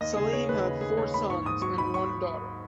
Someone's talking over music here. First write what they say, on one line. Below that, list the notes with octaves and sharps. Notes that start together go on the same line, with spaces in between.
Salim has four sons and one daughter.
D#2 D#5
C#3 G#4
D#2 C#5
D#2 B4
C#3
D#2 G#4
D#2 C#5
D#2 B5
G#2 C#6
G#2 D#6
F#3 C#6
G#2 B5
C#6